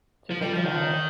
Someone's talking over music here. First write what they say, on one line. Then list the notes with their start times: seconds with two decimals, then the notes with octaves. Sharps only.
to think about it.
0.31 F3
0.42 G3
0.53 F3
0.64 D#3